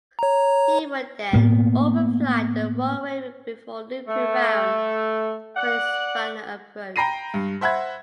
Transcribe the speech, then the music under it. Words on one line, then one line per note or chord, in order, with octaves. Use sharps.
He would then overfly the runway before looping round for his final approach.
C#5 A#5
A2 A#3 B3
A3
D5 F#5
G5 A#5 B5 A#6 C7 D#7
G2
C5 E5 F#5 B5 G#6